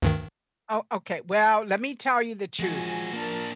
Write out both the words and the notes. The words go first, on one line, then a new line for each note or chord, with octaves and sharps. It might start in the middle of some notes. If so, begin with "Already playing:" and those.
Oh, okay. Well, let me tell you the truth.
D2 G2 D#3
F3 G#3 F#4 G#5
A#3 D4 A#4 A5